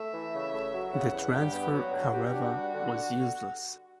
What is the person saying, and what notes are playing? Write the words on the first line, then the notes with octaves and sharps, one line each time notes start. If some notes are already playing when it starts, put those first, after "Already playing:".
The transfer, however, was useless.
Already playing: A3 E5
E3
C#3
A3
F#3
C#3 F#5
E2
G2 G4
B3
F#3 F#4
G2
F#4 G4
D4
G3
D3